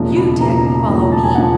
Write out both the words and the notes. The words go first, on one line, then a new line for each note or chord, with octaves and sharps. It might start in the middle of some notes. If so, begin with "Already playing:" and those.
You, Dick, follow me.
Already playing: E1 D#2 C#3 F3
B5
E1 D#2 C#3 F3 A#5
E1 D#2 C#3 F3 A#5
A5
G#5
C#3 F3 F#5